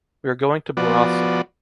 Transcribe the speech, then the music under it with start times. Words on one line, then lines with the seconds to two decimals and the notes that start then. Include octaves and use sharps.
We are going to Borrassà.
0.77 F3 B3 F#4 D5